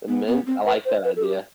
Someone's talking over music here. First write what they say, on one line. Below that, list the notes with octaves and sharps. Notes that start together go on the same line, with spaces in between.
The Mint, I like that idea.
B3
B3
C4
B4
C5
B4
A4
G4